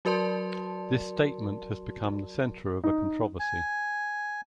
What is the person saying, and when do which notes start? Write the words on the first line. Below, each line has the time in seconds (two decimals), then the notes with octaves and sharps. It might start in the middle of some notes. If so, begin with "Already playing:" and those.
This statement has become the center of a controversy.
0.05 F#3 F#4 A#4 D5 A5 C6
2.84 D#4
3.40 G#5